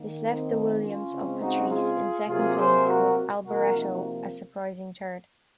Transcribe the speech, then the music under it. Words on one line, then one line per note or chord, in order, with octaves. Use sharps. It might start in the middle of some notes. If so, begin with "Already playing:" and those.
This left the Williams of Patrese in second place with Alboreto a surprising third.
Already playing: D#3 A#3
C4 D#4
C#4 F4
C#3 G#3 C4
D#4 F#4
F4 G#4
C3 F#3 A#3 F4 G#4
G#4 C5
F#4 A#4
C3 F3 A#3 F#4 A#4
D#4 F#4